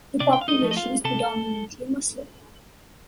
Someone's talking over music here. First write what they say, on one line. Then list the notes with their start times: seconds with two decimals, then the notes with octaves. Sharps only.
The population is predominantly Muslim.
0.20 C3 D4 D5
0.33 G5
0.41 F5
0.48 D#4 D#5
0.62 F3 A3
0.71 D#5
0.77 F4 F5
1.04 C3 A4 A5